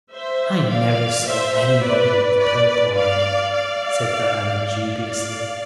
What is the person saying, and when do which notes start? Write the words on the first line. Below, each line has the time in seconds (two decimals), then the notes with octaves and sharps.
"I never saw anybody with purple eyes," said Diana dubiously.
0.12 C5 E5
0.69 D5 F5
1.26 C5 E5
1.55 C5 E5
1.83 B4 D5
2.40 B4 D5
2.68 B4 D5
2.97 D5 F5
3.54 D5 F5
4.67 D5 F5